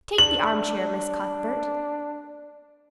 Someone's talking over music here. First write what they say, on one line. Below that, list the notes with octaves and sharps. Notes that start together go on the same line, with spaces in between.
Take the armchair, Miss Cuthbert.
D4 F#7